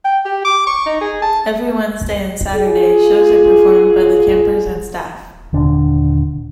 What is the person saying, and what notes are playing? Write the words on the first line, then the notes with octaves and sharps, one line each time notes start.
Every Wednesday and Saturday shows are performed by the campers and staff.
G5
G4
D6
C#6
D#4
G#4
A5
F4 G#4
D#1 D3 D4